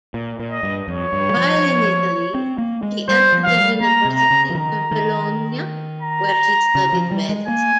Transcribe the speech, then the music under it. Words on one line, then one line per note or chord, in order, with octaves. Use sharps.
While in Italy he entered the University of Bologna, where he studied medicine.
A#2
A#2
D#5
G2
F2 C#5
G2
G3
F3
C4
A#3
G#3
G3 C5
F3
F3 F5
G3
A#3 A#5
C3
A#5
C#3
F3
D#3 A#5
D#3
A#5
C#3
F3
G3
G#3
A#3 G#5